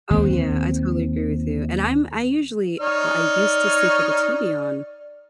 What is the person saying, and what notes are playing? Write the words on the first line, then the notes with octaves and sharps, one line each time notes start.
Oh, yeah, I totally agree with you. And I'm I usually uh, I used to sleep with the TV on,
D#2 C4
D#4 C#5 D5 F6